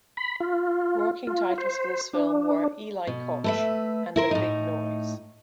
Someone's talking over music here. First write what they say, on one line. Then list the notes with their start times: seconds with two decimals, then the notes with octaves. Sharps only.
Working titles for this film were "Eli Kotch" and "The Big Noise".
0.17 B5
0.40 F4
1.27 F4
1.58 C5
2.13 D4
3.07 B2
3.44 A3 B4 E5
4.16 E4 A#4 C5
4.31 A2 D#4